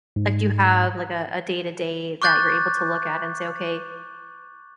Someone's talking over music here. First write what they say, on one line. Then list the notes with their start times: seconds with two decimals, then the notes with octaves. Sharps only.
like, do you have, like, a a day-to-day that you're able to look at and say, "Okay,
0.16 G#2
2.22 C#6 D6 F#6 G6 A6